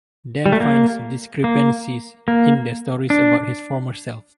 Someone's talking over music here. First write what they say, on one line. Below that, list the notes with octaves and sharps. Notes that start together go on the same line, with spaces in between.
Dan finds discrepancies in the stories about his former self.
G3
A3
A#3
A#3
A#3
D4